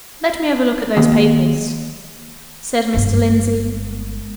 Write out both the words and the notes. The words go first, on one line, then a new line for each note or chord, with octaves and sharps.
"Let me have a look at those papers," said Mr. Lindsey.
D#2
G1 G#2